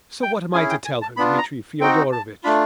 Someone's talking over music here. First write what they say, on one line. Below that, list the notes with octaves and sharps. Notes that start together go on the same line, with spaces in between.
So what am I to tell her, Dmitri Fyodorovitch?
G5
C#4 E4 G#4 G#5
G5
G#5
A5
B3 D4 F4 B5
A#5
C4 D#4 F#4 G5
A5
A3 D4 F4 B5